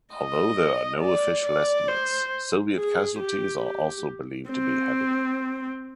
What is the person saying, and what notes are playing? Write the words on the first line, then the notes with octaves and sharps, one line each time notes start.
Although there are no official estimates, Soviet casualties are also believed to be heavy.
D#5
D5
D5
C5
G#4
G4
G4
C4